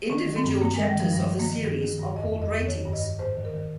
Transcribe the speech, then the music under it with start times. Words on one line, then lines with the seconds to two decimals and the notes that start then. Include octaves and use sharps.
Individual chapters of the series are called ratings.
0.10 D#3 C#4
0.27 D#3
0.36 C4
0.44 G2
0.62 G2 A#3
0.74 G#3
0.78 D#3
0.87 G3
0.96 D#3 F3
1.13 G2 G3
1.30 D#3
1.39 A#3
1.48 D#3
1.65 G2 G#4
1.81 D#3
2.00 G2
2.16 F2 D#5
2.33 F2
2.42 D#5
2.51 F2
2.67 D#3 C#5
2.85 G2
2.93 D#5
3.02 G2
3.19 G#2 C5
3.37 D#3
3.45 A#4
3.54 D#3